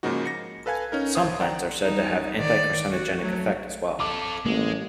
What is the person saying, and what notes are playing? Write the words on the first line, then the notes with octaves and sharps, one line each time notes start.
Some plants are said to have anti-caricogenic effect as well.
G#2 C#3 F3 A#3 D#4 F#4
A#6 C#7
A4 B4 F5 G#5 G#6
C#4 D#4 A#4
G1 C5 D#6
C5 D5 F#5 G5 A#5
G3 D#4
D#3 D5
F#4
F#3 A3
F4 A4 D6
A1 G#3 A#3